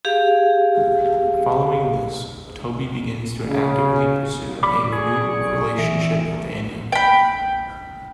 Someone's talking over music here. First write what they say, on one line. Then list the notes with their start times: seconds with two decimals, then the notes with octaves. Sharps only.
Following this, Toby begins to actively pursue a renewed relationship with Andy.
0.05 G4 G#4 F5
3.47 C#3
4.63 D5 B5 C#6 D6
4.93 G#4
5.78 E3 E5
6.92 G5 B5